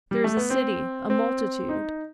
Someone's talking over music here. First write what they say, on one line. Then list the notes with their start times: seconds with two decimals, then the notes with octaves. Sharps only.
There is a city, a multitude--.
0.11 G3
0.24 A3
0.37 B3
0.50 C4
1.10 C4
1.69 D#4